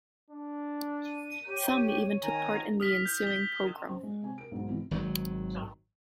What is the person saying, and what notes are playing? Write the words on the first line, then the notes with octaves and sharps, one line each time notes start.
Some even took part in the ensuing pogrom.
D4
D#7
G4 C#5
D#3 G#5 A#5
D#6 F6 B6
G6
G7
C#4 C5
G#3
C3 G#5
A#4 D7
B1 G#2
C3 E3 G#3 B3 C4
G#1 D#3 F#3